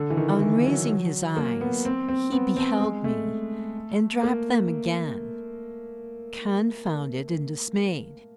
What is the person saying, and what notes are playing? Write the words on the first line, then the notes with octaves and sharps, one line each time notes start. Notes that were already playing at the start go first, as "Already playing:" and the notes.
On raising his eyes, he beheld me, and dropped them again, confounded and dismayed.
Already playing: D3
E3
D#3
E3
F#3
A#3
B3
C4
C4
B3
C4
G#3
A3
A#3